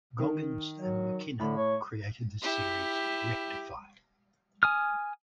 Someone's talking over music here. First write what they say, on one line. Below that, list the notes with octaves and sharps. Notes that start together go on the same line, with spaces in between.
Goggins and McKinnon created the series "Rectify".
D#3
F#3
A2 D3 B5
C#5
E4 G4
G#5 D#6 F6